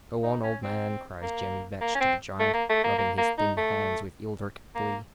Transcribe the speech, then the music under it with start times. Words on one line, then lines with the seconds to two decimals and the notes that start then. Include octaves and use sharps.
"Go on, old man!" cries Jemmy Vetch to the giant, rubbing his thin hands with eldritch glee.
0.23 D#4
0.43 C#4
0.63 C4
1.22 A#3
1.81 A#3
1.95 C#4
2.01 C4
2.39 A3
2.54 A#3
2.69 A3
2.84 A#3
2.98 A#3
3.18 A#3
3.38 D#4
3.57 A3
4.75 A#3